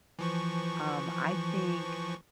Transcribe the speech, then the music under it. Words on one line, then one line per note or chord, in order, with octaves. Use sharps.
Um, I think I
E3 F3 C#6